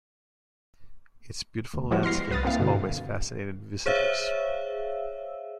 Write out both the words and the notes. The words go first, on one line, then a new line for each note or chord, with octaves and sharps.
Its beautiful landscape has always fascinated visitors.
D2
F3 G3 G#3 B3 E4 F#4
C6 F6 A#6 C7
C2 B4 D#6 F6 A6
A#3 C4 E4 F5
G2 B2 D3
G#4 C5 C#5 E5 F5 E6